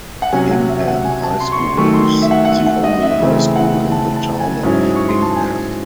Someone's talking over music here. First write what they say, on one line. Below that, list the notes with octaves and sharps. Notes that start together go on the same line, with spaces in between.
Hingham High School is the only High School in the town of Hingham.
F#5
C3 F#3 C#4 G#5
F#5
E5
F#5
G#5
A5
C6
C#6
C6
D#3 F#3 A3 C#6
C6
E5
F#5
F#5
E5
F#5
D#5
E5
C#3 E3 A3 C4 E5
F#5
A5
A5
G#5
G#2 F#3 C#4 E4
C#6
C6
A5
G#5